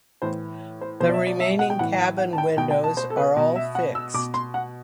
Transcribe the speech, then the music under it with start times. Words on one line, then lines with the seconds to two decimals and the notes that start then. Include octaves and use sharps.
The remaining cabin windows are all fixed.
0.22 A2 E3 C5
0.81 C5
1.00 B2 C5
1.09 D5
1.14 E5
1.27 D5
1.40 E5
1.59 F#5
1.70 G5
1.79 A2 E3 F#5
1.99 F#5
2.18 F#5
2.33 A5
2.38 G5
2.57 B2 G5
2.71 G5
2.84 A5
2.97 C5
3.10 A4
3.17 B4
3.36 B2
3.56 E5
3.75 F#5
3.95 E6
4.14 B2 D6
4.34 C6
4.54 F#5